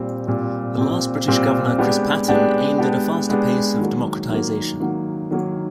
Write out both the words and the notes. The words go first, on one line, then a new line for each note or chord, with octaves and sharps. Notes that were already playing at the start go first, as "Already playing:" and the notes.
The last British Governor Chris Patten aimed at a faster pace of democratisation.
Already playing: A#2 G3 C4
A#2 G3 C4
A#2 G3 C4
A#2 G3 C4
G#3 B3 D4 G4
G#3 B3 D4 G4
G#3 B3 D4 G4
G#3 B3 D4 G4
D#3 F#3 A#3
D#3 F#3 A#3
D#3 F#3 A#3
D#3 F#3 A#3